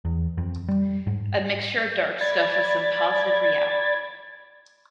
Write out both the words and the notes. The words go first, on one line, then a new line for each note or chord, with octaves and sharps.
A mixture of dark stuff with some positive reality.
E2
F2
G3
G#2
D5 B5 G#6 A6